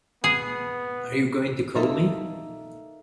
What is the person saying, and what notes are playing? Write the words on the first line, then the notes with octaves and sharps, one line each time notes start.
Are you going to call me?
B3 G#4
A#3 D#4 A4 E5